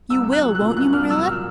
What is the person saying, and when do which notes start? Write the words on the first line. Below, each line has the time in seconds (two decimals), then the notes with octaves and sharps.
You will, won't you, Marilla?
0.10 C2 E6
0.27 C2
0.32 F#6
0.44 F#3
0.55 F#6
0.61 A#2
0.76 C2 F#6
0.93 C2 F6
1.10 F#3 E6
1.27 A#2 F6